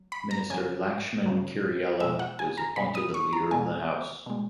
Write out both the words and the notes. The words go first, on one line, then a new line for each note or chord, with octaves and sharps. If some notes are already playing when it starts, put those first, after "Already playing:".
Minister Lakshman Kiriella was appointed the leader of the house.
Already playing: F#3
B5
A#5
C#3 F#3 G#5
C#3 F#3
B2 G#3 E5
F#5
G#5
A#5
B2 G#3 B5
D#6
C#6
A#5
B2 G#3 G#5
B2 G#3